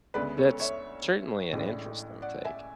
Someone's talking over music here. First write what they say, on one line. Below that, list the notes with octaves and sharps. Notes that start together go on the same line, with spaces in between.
That's, certainly an interesting take.
D2 C#3 G#3 B3 B4 D5
A4 C#5
C#5 E5
A1 A2 G#3 D4
D5 F#5
E5 G#5